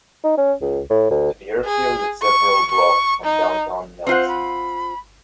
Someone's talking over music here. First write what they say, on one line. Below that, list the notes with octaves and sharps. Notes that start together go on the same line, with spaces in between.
The airfield is several blocks from downtown Nelson.
D#4
C#4
C#2
A2
D2
G#4
C#6
C#6
D#4
C4 F4 C5 F#5
B5